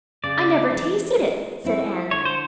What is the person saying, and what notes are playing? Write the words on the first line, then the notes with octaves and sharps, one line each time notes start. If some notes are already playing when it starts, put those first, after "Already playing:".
"I never tasted it," said Anne.
C#3 D5
E3 G#3
G#3
C4 E4
D3 C#5
C5